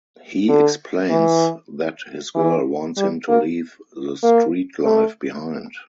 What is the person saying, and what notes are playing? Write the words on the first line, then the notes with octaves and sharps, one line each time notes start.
He explains that his girl wants him to leave the street life behind.
D3
E3
E3
G3
A#3
A#3
A3